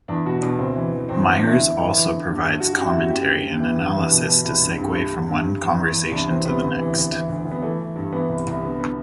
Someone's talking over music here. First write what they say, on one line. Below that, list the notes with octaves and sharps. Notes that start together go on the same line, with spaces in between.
Myers also provides commentary and analysis to segue from one conversation to the next.
E2 D4
B2 F#4
B2 D4
D2 C4
E3
E3
E2 C4
D4
E2
D4
E2 E4
D2 E4
E3
E3
D3
G2
G2
D3 F#4
F#2 F#4
E4
F#2
F#4
F#2 G4
D3
D3
E3
G2
E3
B2
B2
C2
G2
G2
G2
D3
G2
G2
E2
E2
E2
C2 D4
E3 C4
C3 B3
D2
E3
D2
E3
D2
D2
B3
E3 A3
E3
G2
E3 B3
C2
C2
D3 B3
D3 B3